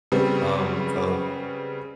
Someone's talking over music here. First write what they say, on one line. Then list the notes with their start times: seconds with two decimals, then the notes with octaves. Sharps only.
Um, so
0.12 C#3 G3 B3 C4